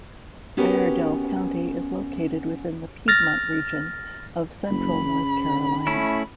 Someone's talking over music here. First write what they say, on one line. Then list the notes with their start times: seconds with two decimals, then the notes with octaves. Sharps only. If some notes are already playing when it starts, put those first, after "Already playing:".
Iredell County is located within the Piedmont Region of central North Carolina.
0.57 B3 C#4 F#4 G4 A#4 B4
3.08 F6 A6 A#6
4.70 F#1 B5
5.05 C#3
5.87 A3 C#4 E4